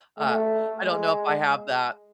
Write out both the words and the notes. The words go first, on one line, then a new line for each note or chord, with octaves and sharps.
uh, I don't know if I have that
A3
G#3